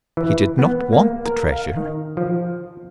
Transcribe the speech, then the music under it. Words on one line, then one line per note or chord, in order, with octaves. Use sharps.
He did not want the treasure.
E3
B3
A#3
A#4
F5
D#3
F3